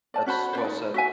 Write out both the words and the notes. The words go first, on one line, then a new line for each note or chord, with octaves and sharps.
That's well said.
D5 A5
C#4 F#4 C5 B5
C5 D5
D#4
F#4 E5 G#5